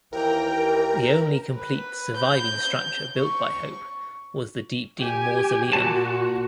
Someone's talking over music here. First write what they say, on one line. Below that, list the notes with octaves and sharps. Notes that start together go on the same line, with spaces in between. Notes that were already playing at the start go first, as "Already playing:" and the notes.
The only complete surviving structure built by Hope was the Deepdene mausoleum.
D#2 E3 A#4 G5 A#5
B4
G6
C#6
G4 G#5
A#2 F#4 A5